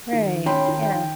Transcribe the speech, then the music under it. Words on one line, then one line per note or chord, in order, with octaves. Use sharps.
Right, yeah.
D#3
C#4 D#4 G5 B5 C6
D#3
G5